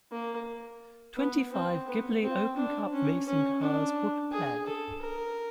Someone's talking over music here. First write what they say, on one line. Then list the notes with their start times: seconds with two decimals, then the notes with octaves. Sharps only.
Twenty-five Ghibli Open Cup racing cars were prepared.
0.12 A#3
1.17 B3
1.52 C4
1.87 B3
2.22 C4
2.57 D4
2.92 C#4
3.27 C#4
3.61 D4
4.32 G#4
4.66 A4
5.02 A#4